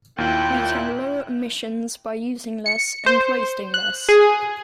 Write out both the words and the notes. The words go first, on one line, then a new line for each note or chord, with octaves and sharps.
We can lower emissions by using less and wasting less.
D#2 A#2 E4 F4 G5 F#6
C#7
C5
F#6
G#4